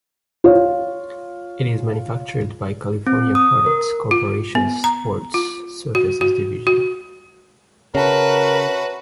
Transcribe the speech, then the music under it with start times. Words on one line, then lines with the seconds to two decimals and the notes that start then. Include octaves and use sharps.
It is manufactured by California Products Corporation's Sports Surfaces division.
0.44 F4 C#5
3.07 C4
3.35 D#6
3.66 A#4
4.11 F4
4.55 B3
4.84 A#5
5.34 F4
5.95 F#4
6.21 F#4
6.67 F#4
7.95 C#3 F#4 A#4 B4 C#5 E5 A5